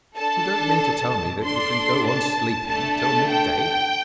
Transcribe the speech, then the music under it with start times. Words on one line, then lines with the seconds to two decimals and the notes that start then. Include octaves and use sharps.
'You don't mean to tell me that you can go on sleeping till mid-day?'
0.16 D4 A4 A5
1.43 D4 A4 C6
2.06 A5
2.68 A3 D4 A4 A5
3.00 A5
3.31 G5